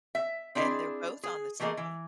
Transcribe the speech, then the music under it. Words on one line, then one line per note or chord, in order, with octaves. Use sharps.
and they're both on the same pa
E5
C4 D4 E4 G#4 D#5
G#4
E3 A3 A#3 G#4 D#5
E3